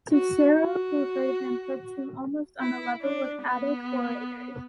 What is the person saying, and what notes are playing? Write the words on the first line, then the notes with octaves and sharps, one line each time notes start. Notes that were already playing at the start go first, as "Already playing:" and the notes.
Cicero, who heard him, puts him almost on a level with the Attic orators.
F#4
F#4
E4
D4
B3